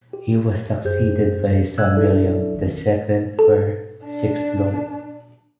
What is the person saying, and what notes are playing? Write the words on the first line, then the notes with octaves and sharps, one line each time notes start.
He was succeeded by his son William, the second or sixth Lord.
G4
F#2 G4 G#4 C5 G6
E6 F#6 G#6
F#3 D4 E4 A4 D5 E5
A1 D#3
A4
D4